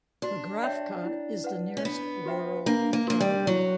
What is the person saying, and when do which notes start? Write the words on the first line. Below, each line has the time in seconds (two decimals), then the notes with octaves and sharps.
Pokrovka is the nearest rural locality.
0.22 D4 F#4
0.63 C#5 E5 G5
1.04 E4
1.44 B4 F#5
1.77 C#4
1.85 B3 D4
2.26 F#4 B4 E5 G5
2.66 A#3 D4
2.93 A#3
3.07 A#3 F#4 A#4
3.21 G3
3.47 F#3 E4